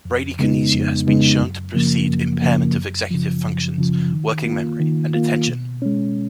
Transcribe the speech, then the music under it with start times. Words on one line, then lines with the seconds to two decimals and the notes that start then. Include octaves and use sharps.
Bradykinesia has been shown to precede impairment of executive functions, working memory, and attention.
0.05 F2
0.39 C#3 G#3 B3 D#4
0.74 F2
1.07 C#3 G#3 B3 D#4
1.40 F#2
1.75 C#3 F3 A#3
2.09 F#2
2.42 C#3 F3 A#3
2.76 F#2
3.11 C#3 F3
3.44 F#2
3.78 C#3 F3
4.12 D#3
4.46 A#3 F4
4.80 D#3
5.14 A#3 F4
5.48 B2
5.82 G#3 C#4